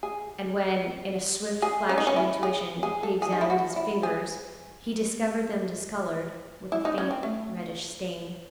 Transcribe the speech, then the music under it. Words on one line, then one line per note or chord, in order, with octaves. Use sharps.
And when, in a swift flash of intuition, he examined his fingers, he discovered them discoloured with a faint reddish stain.
G#4
G#4
C#4
D#4
C#4
E4
G#4
G#4
A4
G#4
D#4
E4
F#4
E4
G#4
E4
D#4
C#4
C4
A3